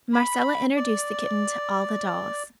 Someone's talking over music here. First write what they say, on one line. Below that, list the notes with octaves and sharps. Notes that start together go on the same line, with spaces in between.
Marcella introduced the kitten to all the dolls.
B5
D5